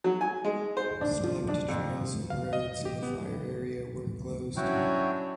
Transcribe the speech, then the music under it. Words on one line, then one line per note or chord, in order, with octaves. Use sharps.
Select trails and roads in the fire area were closed.
F#3
G#5
G#3
C5
D4
F3
D4
F2
F5
D#5
G4
B3
F#3 C#4 D4 E4 F#4 G5